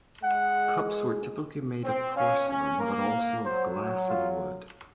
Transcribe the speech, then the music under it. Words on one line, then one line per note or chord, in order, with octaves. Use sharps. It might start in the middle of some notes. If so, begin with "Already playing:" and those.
Cups were typically made of porcelain, but also of glass and wood.
G#3 F#5
C4
C#4 F5
C#4
A#3 A#4
F#3 C5
F4